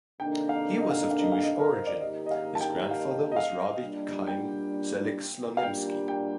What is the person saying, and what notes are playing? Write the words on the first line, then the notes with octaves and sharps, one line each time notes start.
He was of Jewish origin; his grandfather was Rabbi Chaim Zelig Slonimsky.
C3 D#3 A#3 D4 A4 G5
F5
D#5
F5
D#5
F5
D#5
F5
D#5
A#4
C5
D5
D#3 A#3 D#4 G4 D#5
D#5
F5
A5
G5
F5
D#5
F5
A#2 G3 D4
G5
F5
A#2 G3 D4 G5
G5